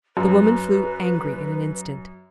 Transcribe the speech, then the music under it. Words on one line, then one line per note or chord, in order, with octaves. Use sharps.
The woman flew angry in an instant.
F#2 B4